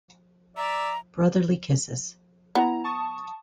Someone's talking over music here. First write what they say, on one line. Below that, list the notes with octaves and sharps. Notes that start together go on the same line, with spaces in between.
Brotherly kisses.
D5 E5 A#5
B3 E4 A#5
A5 C#6 D#6